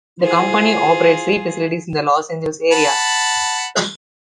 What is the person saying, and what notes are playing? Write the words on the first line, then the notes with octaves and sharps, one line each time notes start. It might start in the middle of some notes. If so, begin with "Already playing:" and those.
The company operates three facilities in the Los Angeles area.
E4 F4 G#4 C5
F#5 A5 B5